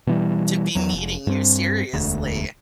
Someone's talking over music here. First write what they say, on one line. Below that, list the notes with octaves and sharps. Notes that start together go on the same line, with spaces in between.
to be meeting you seriously.
B2 E3 G3
E2 F#3
F1
G2 C4
E1 D2